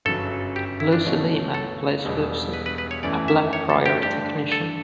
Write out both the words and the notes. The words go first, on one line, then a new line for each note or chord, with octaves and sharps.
Lucy Liemann plays Lucy, a Blackbriar technician.
G1 F#2 C#3 F#3 A4
G4
E4
D4
C#2 B2 A3 C#4 F#4
A4
E1 E2 B2 G3 D4
B4
B4
B4
C#5
F#2 E3 A3 D5
E5
C#5
A4
G4
G2 D3 A3 D4 G4
A4